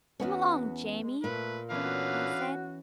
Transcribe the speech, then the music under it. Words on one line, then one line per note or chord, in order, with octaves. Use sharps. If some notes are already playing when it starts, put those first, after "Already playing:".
"Come along, Jamie," I said.
E2 B3 C#4 F#4
G#3
A#2 A3 B4
D3 E3 B3 C#4 B4 F5
F#4